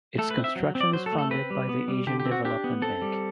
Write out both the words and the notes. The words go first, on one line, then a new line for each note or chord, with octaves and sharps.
Its construction is funded by the Asian Development Bank.
A3 A4
B4
C4
E5
F#3
C4
D5
F#3 C5
A4
A3
A4
C4 B4
G3
B3
G3
D3 G4
G4
C4
F#4
D4 G4
B3
C4 A4
G3